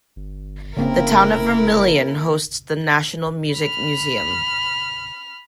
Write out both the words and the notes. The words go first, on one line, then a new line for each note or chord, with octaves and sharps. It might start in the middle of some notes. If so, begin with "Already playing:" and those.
The town of Vermillion hosts the National Music Museum.
G1
F1 C#3 A#3 C4 E4 A#4
B5 F6